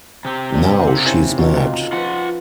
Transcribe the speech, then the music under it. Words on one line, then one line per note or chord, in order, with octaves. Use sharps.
Now she's mad.
C3 G4
A#3 D4
F#5
C4 C#4 E4
D#4 F4 F#4
F3 F4 B4 F#5